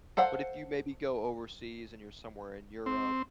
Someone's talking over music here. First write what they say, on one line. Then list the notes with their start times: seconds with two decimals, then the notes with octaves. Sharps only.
But if you maybe go overseas and you're somewhere in Europe,
0.17 A4 C5 F5 F#5
2.86 C4